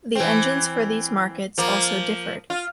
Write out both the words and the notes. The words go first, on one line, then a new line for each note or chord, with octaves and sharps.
The engines for these markets also differed.
E3 C4
F3 A#3
F4